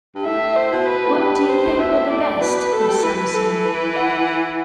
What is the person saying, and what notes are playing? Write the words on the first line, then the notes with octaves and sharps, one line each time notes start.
What do you think will be best, Miss Summerson?
G2
A2 E5
C5
B2
B4
A2
G2 B4
C5
A2
B2 E5
A2
A2 D5
B2 B4
A4
A3
G3
F#3
E3 B4
A4
B4
F#5